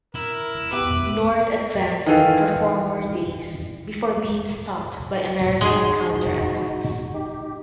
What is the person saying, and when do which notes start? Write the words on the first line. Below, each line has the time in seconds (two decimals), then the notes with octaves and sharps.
Nord advanced for four more days before being stopped by American counterattacks.
0.15 E4 A#4
0.72 B3 G4 B4 E5 D6
2.06 D#3 E3 A4 F5
5.61 G#3 D#4 F#4 G#4
7.14 D#4 G4